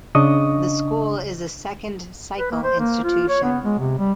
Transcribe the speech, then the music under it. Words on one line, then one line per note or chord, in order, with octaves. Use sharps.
The school is a second cycle institution.
C#3 D4 D#5 C#6 D#6
B4
A#3
C5
A#3
F4
C#5
B3
G#3
C3
G3